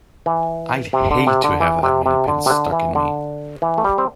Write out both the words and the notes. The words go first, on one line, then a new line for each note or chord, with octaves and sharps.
I'd hate to have that many pins stuck in me!
E3
C3
D3
C3
D3
E3
C3
C3
D3
C3
D3
E3
D3
E3
A3
G3
C4